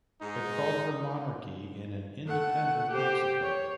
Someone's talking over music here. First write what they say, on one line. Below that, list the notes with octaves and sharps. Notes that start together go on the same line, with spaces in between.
It called for monarchy in an independent Mexico.
G#2 D#4
A3 F#5
G4 C5
C#5